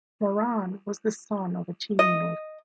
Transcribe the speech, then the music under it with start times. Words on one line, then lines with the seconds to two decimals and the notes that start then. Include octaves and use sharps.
Moran was the son of a chimney maker.
1.99 D#5